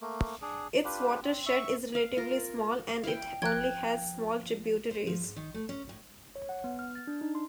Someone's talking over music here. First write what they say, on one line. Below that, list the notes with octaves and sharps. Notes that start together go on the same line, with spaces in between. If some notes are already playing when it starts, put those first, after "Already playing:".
Its watershed is relatively small, and it only has small tributaries.
A3 A#3
D4 G#4
D4 F4 G4 B4
C4
E5 C#6
F5
F4 A#4
E4 F5 G5
F3 G5 F#6 G#6
C5
F3
G#2
D#3
A3
C#4
A2
C#5
F#5
B3
F6
A6
D4
D#4
C6